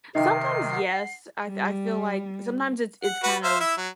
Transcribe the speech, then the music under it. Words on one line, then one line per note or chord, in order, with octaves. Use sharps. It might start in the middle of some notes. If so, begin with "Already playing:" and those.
Sometimes, yes, I th I feel like, sometimes it's it's kind of
C3 D#3 D#4 D#5 E5 G5 C7
F#5
G3
F#5
F#4 B4 F#5
C5 E5 F5
E4 E5
F#3